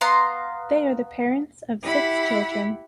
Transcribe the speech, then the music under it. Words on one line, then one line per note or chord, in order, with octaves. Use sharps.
They are the parents of six children.
B3 F5 A#5 C6
E4 G4 F#5 B5